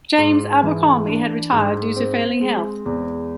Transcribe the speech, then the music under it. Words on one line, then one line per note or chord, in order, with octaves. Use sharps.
James Abercromby had retired due to failing health.
G#2
E3
D4
G#2
C4
G#3
E2